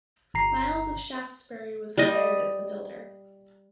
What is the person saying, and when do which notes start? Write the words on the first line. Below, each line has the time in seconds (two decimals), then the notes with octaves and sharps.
Miles of Shaftesbury was hired as the builder.
0.34 G1 A#5 C7
1.98 G3 D#5